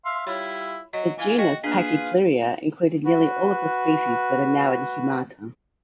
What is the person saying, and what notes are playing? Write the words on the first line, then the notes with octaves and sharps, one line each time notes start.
The genus "Pachypleuria" included nearly all of the species that are now in "Humata".
E5 F5 C6
G3 E4 F4 C#5
F#3 D#5
E3 F4 G#5
F#4 D#5 G5
A#3 D4 F4 G#4 B4 F5
F#4 B4